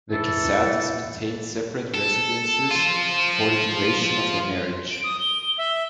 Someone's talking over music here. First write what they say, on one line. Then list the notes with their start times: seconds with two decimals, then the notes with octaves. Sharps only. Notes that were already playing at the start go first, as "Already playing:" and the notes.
The Casatis maintained separate residences for the duration of their marriage.
0.12 E3 A4
1.94 A4
2.71 F4 C5
4.91 D7
5.04 D#6
5.20 G7
5.58 E5